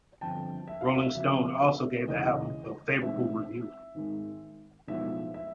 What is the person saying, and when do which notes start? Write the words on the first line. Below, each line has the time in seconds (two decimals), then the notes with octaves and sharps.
"Rolling Stone" also gave the album a favourable review.
0.21 G1 F2 D3 G5 A5
0.68 E5
0.81 F5
0.95 E5
1.15 F2 C#3 F#3 E5
2.07 E1 D#2 C#3 E3 G#3 D#5
3.02 B1 A2 E3 G#3 C4 E5
3.95 G#1 G#2 D#3 G#3
4.88 B1 A2 F3 G#3 B3 E5
5.34 E5